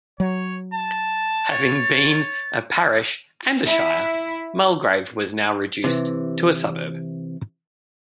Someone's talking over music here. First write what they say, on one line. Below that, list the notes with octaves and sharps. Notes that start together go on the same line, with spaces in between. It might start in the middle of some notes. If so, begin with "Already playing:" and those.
Having been a parish and a shire, Mulgrave was now reduced to a suburb.
F#3 C#5
A5
C#5 A6
E4
C3 E3